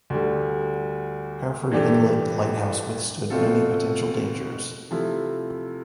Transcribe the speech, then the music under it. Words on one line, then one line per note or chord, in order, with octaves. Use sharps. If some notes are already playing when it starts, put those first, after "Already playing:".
Hereford Inlet Lighthouse withstood many potential dangers.
D2 D3 G3
G2 E3 A3 D4 G4
B2 A3 C4 F4 A4
C3 F3 A3 E4